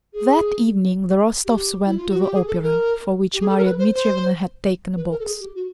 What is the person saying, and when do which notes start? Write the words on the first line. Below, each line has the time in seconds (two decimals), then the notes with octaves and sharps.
That evening the Rostovs went to the Opera, for which Marya Dmitrievna had taken a box.
0.13 G#4
1.45 G4
1.86 E4
1.97 F4
2.09 F#4
2.21 G4
2.33 G#4
2.48 A4
2.62 A#4
3.34 G4
3.41 G#4
3.49 A4
3.58 A#4
3.64 B4
3.79 C5
3.94 C5
4.97 B4
5.11 A#4
5.20 A4
5.26 G#4
5.40 G4
5.55 F#4